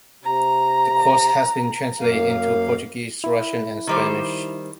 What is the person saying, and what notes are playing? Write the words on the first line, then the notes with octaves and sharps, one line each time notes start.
The course has been translated into Portuguese, Russian and Spanish.
C3 A#5
F#2 A#3 F5
E4
D#3 G3 C5